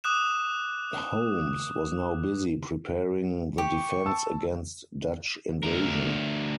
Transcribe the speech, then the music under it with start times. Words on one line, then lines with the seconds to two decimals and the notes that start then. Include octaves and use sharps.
Holmes was now busy preparing the defence against Dutch invasion.
0.04 D6 D#6 F#6 E7
3.58 G4 C#6
4.06 A5 E6
5.63 D2 A#4